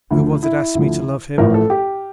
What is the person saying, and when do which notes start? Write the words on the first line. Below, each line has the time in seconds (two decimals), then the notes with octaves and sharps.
"Who was it asked me to love him?"
0.10 D2 D3 F3
0.43 E4
0.75 D2 D3 F3
1.38 A1 A2 F3 A#4
1.54 A4
1.70 G4